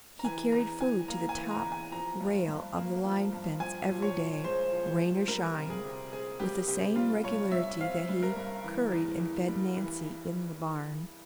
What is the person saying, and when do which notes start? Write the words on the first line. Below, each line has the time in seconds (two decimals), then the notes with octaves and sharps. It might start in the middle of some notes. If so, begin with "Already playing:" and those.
He carried food to the top rail of the line fence every day, rain or shine, with the same regularity that he curried and fed Nancy in the barn.
0.19 A#5
0.24 E3 G#5
0.52 E2 A#5
0.80 E2 G#5
1.08 A#3 A#5
1.29 G#5
1.36 E3
1.51 A#5
1.65 E2
1.72 G#5
1.92 F3 A#5
2.21 G2
2.48 G2
2.77 A#3
3.04 F3
3.33 G2
3.60 F3 G#5
3.89 A#2
4.02 C#5
4.17 A#2
4.44 G#3 C5
4.73 F3
4.87 C5
5.00 A#2
5.28 G3 A#4
5.56 C3
5.70 G#4
5.84 C3
6.12 C4 G#4
6.40 G3 G4
6.68 C3 G4
6.96 G3 F4
7.24 G2 C#5
7.52 G2 E5
7.80 C4 F5
8.09 G3
8.23 A#4
8.37 G2
8.64 E3
8.92 E2
9.19 E2
9.48 G3
9.76 E3